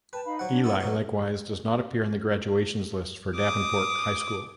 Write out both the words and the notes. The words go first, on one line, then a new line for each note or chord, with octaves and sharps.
Ely likewise does not appear in the graduations lists for Davenport High School.
B4 G5 A5
D#4 F5 B5
F#3 C5 F#5
D4 C#5
B3 E4 A4 F#5
B2 F#3
D6 D#6